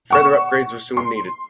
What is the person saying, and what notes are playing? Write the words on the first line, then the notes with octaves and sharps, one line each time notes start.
Further upgrades were soon needed.
F#5 C#6 E7
C6